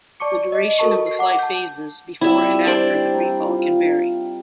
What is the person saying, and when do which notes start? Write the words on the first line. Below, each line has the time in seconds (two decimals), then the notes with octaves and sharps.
The duration of the flight phases before and after the free-fall can vary.
0.20 D5 A5 C#6 D6 C#7
0.52 D#5
0.79 F#4 A4 A#4 D#5 A5 C#6
1.06 C7
1.19 F#5 D6
1.39 A5 G6
2.21 G3 C4 E4 E5
2.67 D4 C5 D5
3.14 E4 G5 A#5
3.40 F4